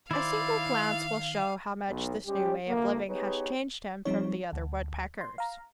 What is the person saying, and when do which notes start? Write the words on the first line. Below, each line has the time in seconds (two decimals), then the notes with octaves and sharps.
A single glance will show how much this new way of living has changed him from the other woodpeckers.
0.11 D#3 E4 C5 D5 F5
1.89 B1
2.27 G3 G#3 C#4 G4
2.68 D2 A#3
3.09 B3 D#4 G4 G#4 B4 C#5
4.05 F3 G3 C4 D#4 C#5
4.53 D2
5.21 C6
5.38 F5 A#5